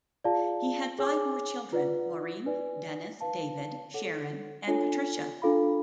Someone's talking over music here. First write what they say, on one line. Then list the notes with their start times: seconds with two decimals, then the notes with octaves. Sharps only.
He had five more children, Maureen, Dennis, David, Sharon and Patricia.
0.24 F4 G#4 D5 F5 A5
0.99 G#4 C#5 G#5 D6
1.73 F4 B4 D5 F#5
2.46 B4 D5 G#5
3.21 B4 F5 A5
3.94 A4 C#5 F#5
4.67 D4 F4 A4 C#5 G#5
5.42 D4 F4 A4 F5 B5